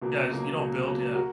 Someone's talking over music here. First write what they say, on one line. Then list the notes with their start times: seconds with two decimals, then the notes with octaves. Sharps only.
Yeah, you don't build, yeah.
0.02 C#2 B2 F#3 A#3
0.30 C#2 B2 F#3 A#3
0.59 C#2 B2 F#3 A#3
0.86 C#2 B2 F#3 A#3
1.14 F#4 A#4